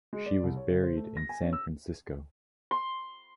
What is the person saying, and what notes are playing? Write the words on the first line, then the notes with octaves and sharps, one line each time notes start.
She was buried in San Francisco.
G#3
D5
C2
C#5
C#3
C5
A3
A#6
G#5
C#4
E6
C6